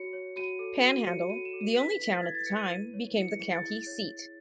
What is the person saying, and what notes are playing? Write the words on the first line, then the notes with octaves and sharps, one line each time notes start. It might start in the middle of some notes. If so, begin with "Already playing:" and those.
Panhandle, the only town at the time, became the county seat.
Already playing: F#4 C#5 C#7
C#5
F#4 D#7
A4
F#4 D#7
C#5 C#7
F#4 D#7
E7
A4
D#7
B4 B6
E4 B6
A6
E4 G#6
A6
B4 C#7
D#7
E4
C#5
E4 C#7
C#7
G#4 C#7
A6
E4
C#5